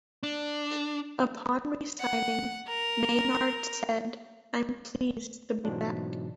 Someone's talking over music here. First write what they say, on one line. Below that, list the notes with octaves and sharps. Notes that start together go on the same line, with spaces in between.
Upon re-signing, Maynard said I'm pleased to be back.
D4
F#5
A#4
G#2 B2 E3 F#3 D4 F4